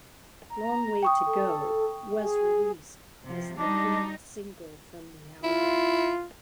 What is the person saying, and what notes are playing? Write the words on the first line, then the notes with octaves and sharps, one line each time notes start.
"Long Way to Go" was released as the lead single from the album.
A#5
G5 C#6 D#6
A4
G#4
C3 F3
G3 D4 D#4
E4 F4